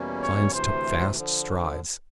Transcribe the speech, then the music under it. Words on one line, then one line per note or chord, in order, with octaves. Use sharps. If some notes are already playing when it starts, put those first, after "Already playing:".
Science took vast strides.
Already playing: E2 B2 G3 A#3 C#4
C#5
D2 C3 E3 C5
D3 F3